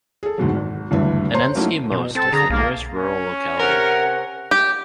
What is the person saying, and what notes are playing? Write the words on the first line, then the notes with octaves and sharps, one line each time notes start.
Annensky Most is the nearest rural locality.
G#4 A4
D2 G#2 B2 F#3
G#1
F#1 D2 G2 E3 B4 E5
C5 C#5 A#5 C6
F#3 A3 A#3 C#4 D#4 E4
B2
C4 A4 A5
D3 G#4 A#5
B1 A#3
C#4
C3 A#4 F#5
G4